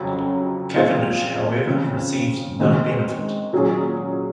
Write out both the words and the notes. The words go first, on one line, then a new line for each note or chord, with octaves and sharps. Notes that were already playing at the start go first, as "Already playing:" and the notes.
Cavendish, however, received no benefit.
Already playing: F2 C#3 F#3
A#2 F3 C4 F4 G#4
C#3 F3 C4
D#3 G#3 C4 F#4
A#2 F#3 C#4 G#4